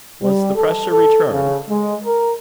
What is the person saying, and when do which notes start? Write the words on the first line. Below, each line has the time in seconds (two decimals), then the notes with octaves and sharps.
Was the pressure returned?
0.21 G3
0.56 A4
0.90 A4
1.30 C#3
1.69 G#3
2.04 A#4